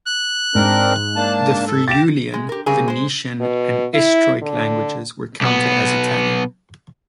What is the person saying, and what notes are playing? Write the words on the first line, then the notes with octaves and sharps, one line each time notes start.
The Friulian, Venetian and Istriot languages were counted as Italian.
F#6
G#2 C4 D4 A#4
A#3 D4 A5
A4
G4 D6 A6 A#6 E7
G#3
G4 A#4
C#3 G3 C4 G#4 A#4
G#3 C5
B2
E4
D3
B1 B3